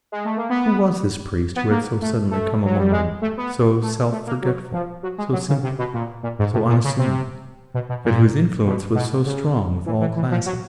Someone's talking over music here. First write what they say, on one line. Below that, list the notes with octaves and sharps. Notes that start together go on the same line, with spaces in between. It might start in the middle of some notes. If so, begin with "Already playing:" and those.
Who was this priest who had so suddenly come among them, so self-forgetful, so simple, so unassuming, yet whose influence was so strong with all classes?
G#3
A3
A#3
B3
B3
A#3
A3
A3
F#3
G3
G#3
A3
B3
A3
A3
A#3
F#3
F3
F#3
G#3
F#3
C#3
C3
B2
A#2
A#2
G#2
A2
A#2
C#3
C3
B2
B2
A#2
B2
B2
C#3
E3
E3
E3
F3
F#3